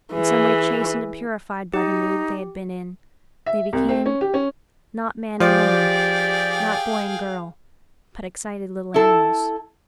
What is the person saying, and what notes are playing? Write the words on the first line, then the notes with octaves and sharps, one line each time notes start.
In some way chastened and purified by the mood they had been in, they became, not man and woman, not boy and girl, but excited little animals.
E3 G#4
D#4 G4
E5
C2
C4
C#4
G4
C#4
F3 G4 G#4 D5 F5 G5
E4 A4